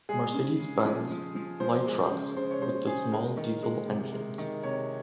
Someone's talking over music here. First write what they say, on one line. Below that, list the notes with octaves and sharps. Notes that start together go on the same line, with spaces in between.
Mercedes-Benz light trucks with the small diesel engines.
G#3 G#4
C#3
C#3
F3
F3
F3
F3 C5
G#3
C#3
C#3 C5
C#5
G#3 C5
C#3 G#4
G#3 A#4
D#3
G#3
C3
G#3
D#3
C3 C#5